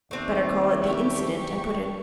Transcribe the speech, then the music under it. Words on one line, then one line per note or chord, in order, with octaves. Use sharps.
"Better call it the incident," I put in.
D#2 A3 C4 D4
F#3 G4 C#6